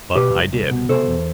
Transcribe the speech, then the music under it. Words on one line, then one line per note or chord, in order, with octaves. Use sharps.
But I did.
B2 G4 B4
C2
C2
B2
C3 A4 C5
E2